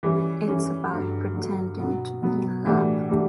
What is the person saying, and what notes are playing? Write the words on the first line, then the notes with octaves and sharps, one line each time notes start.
It’s about pretending to be in love.
E3 G3 C#4
E3 G3 C#4
G2 D3 F#3
G2 D3 F#3
B2 F#3 B3
B2 F#3 B3
A2 E3 G3 D4 F#4
A2 E3 G3 D4 F#4